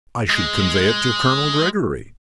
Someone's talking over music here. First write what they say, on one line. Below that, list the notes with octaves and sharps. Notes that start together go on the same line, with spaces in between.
"I should convey it to Colonel Gregory."
G#3